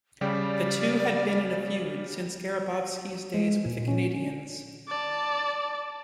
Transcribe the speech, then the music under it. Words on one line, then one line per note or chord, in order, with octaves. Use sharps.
The two had been in a feud since Grabovski's days with the Canadiens.
C#3 G3 G4 D5
G#3
A#2
C#4
D5 A5